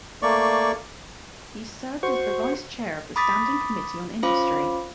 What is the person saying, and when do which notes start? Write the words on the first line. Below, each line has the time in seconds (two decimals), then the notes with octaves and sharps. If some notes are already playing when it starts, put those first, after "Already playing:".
He served as the Vice-Chair of the Standing Committee on Industry.
0.22 A3 A#3 D5 C#6
2.03 F#4 C5 C#6
3.16 B5 D6 D#6 A6 B6
4.23 C#4 F4 C5 F5 B5 D6